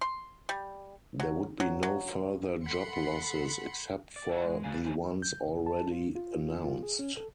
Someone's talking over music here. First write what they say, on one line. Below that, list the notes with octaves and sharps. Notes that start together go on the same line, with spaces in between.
There would be no further job losses, except for the ones already announced.
C6
G3
F#3
F#3
F#3
A4 F#5 B5 C6 C#7
D5
F#2 E4 C#5 F#5
G#3
G4 G#4 B4 D5 F5 G#5
A2 F3 F#3 G#5
G6
C2
A5
F4
F4
F4
G#4
C#4
A4